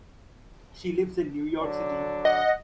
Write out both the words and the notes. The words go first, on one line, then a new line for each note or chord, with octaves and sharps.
She lives in New York City.
D3 F#3 D4
D#5 F#5